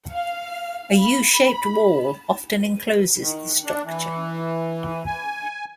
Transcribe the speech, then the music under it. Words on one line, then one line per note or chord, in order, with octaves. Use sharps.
A U-shaped wall often encloses the structure.
F5
B5
D#3
D4
E3
G#5